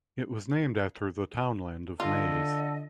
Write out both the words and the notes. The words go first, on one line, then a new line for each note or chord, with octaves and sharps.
It was named after the townland of Maze.
D3 F4 A4 D#5